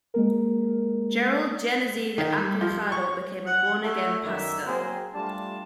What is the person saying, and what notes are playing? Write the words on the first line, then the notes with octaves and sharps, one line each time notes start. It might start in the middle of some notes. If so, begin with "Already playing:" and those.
Gerald "Genezide" Acelajado became a Born-Again Pastor.
G#3 A#3 A#4
D#3
G3
F3
C#6
F#5
A3 E4
F#2 D#3 D#4 D5 E5
F#3 A#3 C4 G#4 A#4 C5
G3 A3 D4 F4 A5